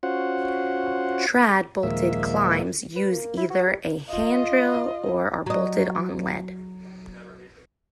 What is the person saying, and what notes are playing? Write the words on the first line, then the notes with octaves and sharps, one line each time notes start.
Trad bolted climbs use either a hand drill and or are bolted on lead.
C#4 F4 F#4 C5 F#5
D#2 A#2 F3 G#3 A#3 E5
B4
A#3
E4
F#4
G3
F4 D#5
F#3 D#5